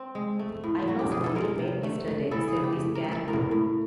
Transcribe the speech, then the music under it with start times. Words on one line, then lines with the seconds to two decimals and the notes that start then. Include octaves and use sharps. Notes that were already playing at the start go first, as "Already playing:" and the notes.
'I was only made yesterday,' said the Scarecrow.
Already playing: C4
0.15 G#3
0.39 A3
0.64 A2
0.87 F#3 F#4
0.99 G4
1.11 B2 G#4
1.24 A4
1.36 G#3 A#4
1.59 C3
1.83 A3
2.07 A3
2.31 E3 A4
2.48 G#4
2.56 C#3
2.64 G4
2.79 A3
2.95 A#4
3.04 A3
3.12 A4
3.28 A2 A#4
3.51 A2